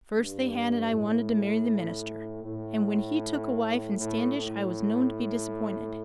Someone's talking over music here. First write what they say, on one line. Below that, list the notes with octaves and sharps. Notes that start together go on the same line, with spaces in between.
First they had it I wanted to marry the minister, and when he took a wife in Standish I was known to be disappointed.
G2
A2
A2
A2
A2